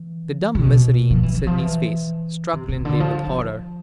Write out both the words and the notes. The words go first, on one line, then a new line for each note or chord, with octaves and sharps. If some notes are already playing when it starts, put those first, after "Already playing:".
The dumb misery in Sydney's face struck Linley with horror.
Already playing: E3
C3
B2
F3
E3
E3
F3
E3
C3
C3
D3
F3
F3